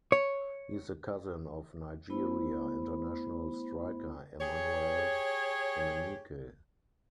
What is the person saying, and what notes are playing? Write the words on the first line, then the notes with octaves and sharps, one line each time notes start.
He is the cousin of Nigeria international striker Emmanuel Emenike.
C#5
A3 B3 E4 C5 B5
G4 G#4 C#5